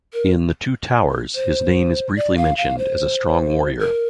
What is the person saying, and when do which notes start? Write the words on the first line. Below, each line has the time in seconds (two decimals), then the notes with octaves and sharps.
In "The Two Towers", his name is briefly mentioned as a strong warrior.
0.13 A#4
1.35 C5
2.16 D5
2.37 F5
2.58 F5
2.78 C5
3.79 A#4